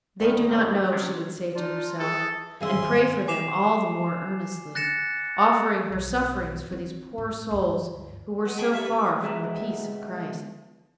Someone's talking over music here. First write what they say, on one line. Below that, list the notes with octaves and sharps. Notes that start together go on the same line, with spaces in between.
"They do not know," she would say to herself, and pray for them all the more earnestly, offering her sufferings for these poor souls who were so far from the peace of Christ.
D2 A2 D#3
D#2 A2 C3 D#3
C3 C#4 D4
D4 D#4 F4
E3 G#4 A4
G#1 G2 G#4 E5 F5 G#5 C6
G#5 D6 C7 E7 F7
F#6 A6 A#6 C#7 E7
B1 G2
C4 F4
A2
D2 G2
B2 D#4
G#4 A4 G5 B5 C#6
G2 A4 E5 F5 C#6
B4
B2 G#3 B4 E5 F#5 A#5